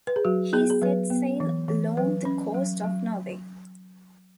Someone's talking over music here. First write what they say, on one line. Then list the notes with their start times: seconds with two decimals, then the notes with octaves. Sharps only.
He set sail along the coast of Norway.
0.07 B4
0.16 G#4
0.25 F#3 F#4
0.53 B3 G#4
0.70 G#4
0.82 F#3 B4
1.10 B3
1.40 E3
1.68 E3
1.97 F#3 B4
2.25 C#4
2.54 F#3
2.84 F#3